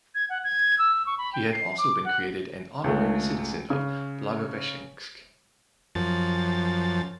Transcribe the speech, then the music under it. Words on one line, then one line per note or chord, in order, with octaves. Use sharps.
He had also been created an honorary citizen of Blagoveshchensk.
G#6
F#5
G#6
E6
C#6
B5
G5
C7
D6
F#5
C#2 G#3 A3
C#3
F#2 F3 A6